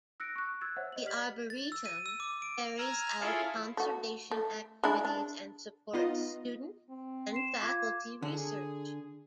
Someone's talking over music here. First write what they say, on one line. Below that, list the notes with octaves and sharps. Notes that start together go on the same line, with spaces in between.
The Arboretum carries out conservation activities and supports student and faculty research.
E6 F#6 A#6 C#7 D7
C#6 F#6
E6 F#6 G#6 A6
C5 C#5 E5 F#5
D#5 F#7
G4 D5 F6 B6 F#7
A6
E6
D#7
E6
D6
D7
G#5 A#5 E6 F6
C#4 E4 F4 G#4 A4
A3 F#4
A3
G#3 D4 E4
D4
B3 D#4 F4 D#5
C4
C6 C7 E7
F4 D6 G#6
D3 G#4